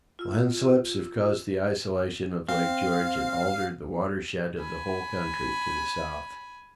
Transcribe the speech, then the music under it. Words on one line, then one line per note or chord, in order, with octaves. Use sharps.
Landslips have caused the isolation of Lake George and altered the watershed of the whole country to the south.
F4 E6
C4 F5
G#5 B5